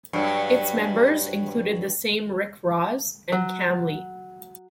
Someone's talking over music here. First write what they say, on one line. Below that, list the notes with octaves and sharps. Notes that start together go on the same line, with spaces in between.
Its members included the same Rick Rozz and Kam Lee.
G2 F#3
F#3